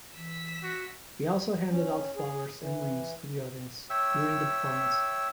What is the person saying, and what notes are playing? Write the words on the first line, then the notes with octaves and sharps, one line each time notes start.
He also handed out flowers and rings to the audience during the performance.
E3 E6 B6
F#4
C#4
G#4
E3
C#5 E5 G5 E6